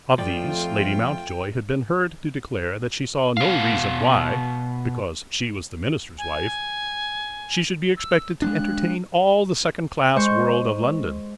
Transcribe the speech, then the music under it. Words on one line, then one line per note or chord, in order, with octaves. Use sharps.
Of these Lady Mountjoy had been heard to declare that she saw no reason why, because she was the minister's wife, she should be expected to entertain all the second-class world of London.
F2 F3 A3 F4 D5 G5
B2 F5
G#5
E6
G#3 A3 D4 F#6
G#3 C5 C#6 G6